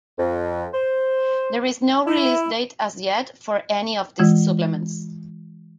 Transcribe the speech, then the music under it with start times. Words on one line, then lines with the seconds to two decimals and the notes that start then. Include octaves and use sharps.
There is no release date as yet for any of these supplements.
0.18 F2
0.74 C5
2.06 E4
4.19 E3 G#3 F4